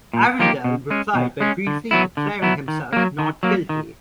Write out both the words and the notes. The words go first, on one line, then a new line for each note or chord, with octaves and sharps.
Arundell replied by briefly declaring himself not guilty.
A#2
F3 A#3 D#4 G4
B2
G#3 C#4
B2
G#3 C#4
D3
F#3 B3 E4
D3
F#3 B3 E4
D#3
F#3 A#3
D#3
F#3 A#3
D#3